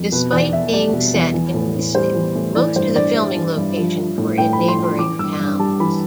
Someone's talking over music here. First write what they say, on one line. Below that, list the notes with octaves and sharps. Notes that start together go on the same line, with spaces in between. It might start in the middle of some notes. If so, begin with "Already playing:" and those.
Despite being set in Mystic, most of the filming locations were in neighboring towns.
Already playing: F2
B2 B4
E2 D5
E2 E5
G3 D5
B2
E2
E3
A2
A2
G3 C5
E3
A2
E3 D5
G2 C5
G2 D5
G3 E5
E3
G2
F3
F3
A2
A2 G5
B5
F3
C6
F3
C6
E3 D6
G2 E6
G2
G3 A5
E3 B5